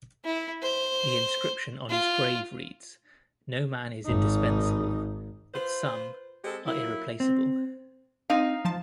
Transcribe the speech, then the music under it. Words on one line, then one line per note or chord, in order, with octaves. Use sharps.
The inscription on his grave reads, No man is indispensable but some are irreplaceable.
E4
C5
F4
G#1 D#4
F4 B4 C5
G#3 C4 G4 A4
F#3 A#3 E4
C4
C4 D#4 F5
F3 A5